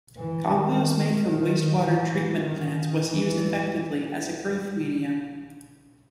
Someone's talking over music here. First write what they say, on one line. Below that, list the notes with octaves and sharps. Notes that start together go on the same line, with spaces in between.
Compost made from wastewater treatment plants was used effectively as a growth medium.
E3
D#3
D#3
E3
D#3
E3